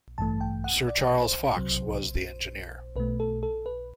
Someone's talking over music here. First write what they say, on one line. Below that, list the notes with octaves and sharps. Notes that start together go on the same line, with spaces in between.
Sir Charles Fox was the engineer.
A1 G2 E3 A3 A5
G5
F#5
D5
C5
C2 C3 F#3
B1 B2 A3 B4
A4
A4
B4